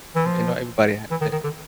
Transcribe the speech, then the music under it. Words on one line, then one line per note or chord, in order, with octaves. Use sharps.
If You know, everybody has to
E3
F3
E3
D#3
D#3
D3